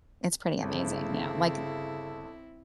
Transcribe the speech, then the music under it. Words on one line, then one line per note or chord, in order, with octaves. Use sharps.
It's pretty amazing, you know, like,
G1 C#3 C4 E4 A4